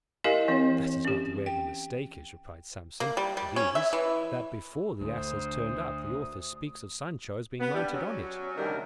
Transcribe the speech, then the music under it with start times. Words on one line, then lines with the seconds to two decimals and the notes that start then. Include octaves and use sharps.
"That is not where the mistake is," replied Samson; "it is, that before the ass has turned up, the author speaks of Sancho as being mounted on it."
0.24 E4 G4 A#4 D#5 F5 G#5
0.48 E3 C4 C#5
1.05 C#4 G4
1.46 G5
3.00 A#3
3.17 G3
3.37 G3
3.56 C#4
3.75 E5
3.93 E3
5.01 D2 C5 D#6
7.59 B3
7.74 G3 D4
7.93 F#3 C#4
8.56 D2 C3 D#3 G3 A#4